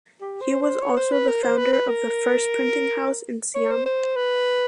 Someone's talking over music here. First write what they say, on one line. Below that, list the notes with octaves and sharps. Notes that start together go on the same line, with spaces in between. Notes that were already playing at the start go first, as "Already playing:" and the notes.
He was also the founder of the first printing house in Siam.
G4
C5
C5
C#5
C5
B4
A#4
C5
B4
B4
A#4
C#5
C5
C5
B4